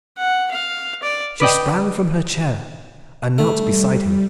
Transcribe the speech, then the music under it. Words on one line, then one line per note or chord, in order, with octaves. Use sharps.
She sprang from her chair and knelt beside him.
F#5
F5
D5
B4 D5 D#5 G5
G3 A3